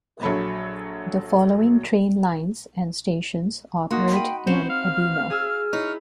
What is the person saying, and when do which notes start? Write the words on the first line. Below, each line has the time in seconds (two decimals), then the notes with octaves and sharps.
The following train lines and stations operate in Ebino.
0.23 A#1 F#3 A4 C#5 B5
3.91 A#3 D#4 F#4 C6
4.13 G5 B5 D#7
4.47 C4 C#4 C5 C#7 E7
4.70 F5 F6
5.30 G#4 G#5 E6
5.73 D#4 E4 C#5